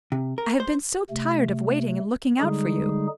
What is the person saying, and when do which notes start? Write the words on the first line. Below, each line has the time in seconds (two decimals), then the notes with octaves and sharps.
I have been so tired of waiting and looking out for you.
0.12 C3
0.38 A#4
0.60 C5
1.10 C3 A3
2.40 D3 G3 G#3 D#4 G#4